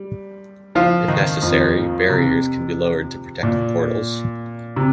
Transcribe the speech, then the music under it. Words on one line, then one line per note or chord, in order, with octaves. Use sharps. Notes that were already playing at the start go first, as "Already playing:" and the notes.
If necessary, barriers can be lowered to protect the portals.
Already playing: G3
F3 F4
D#3 D#4
F2 F3
C3
A#2
C3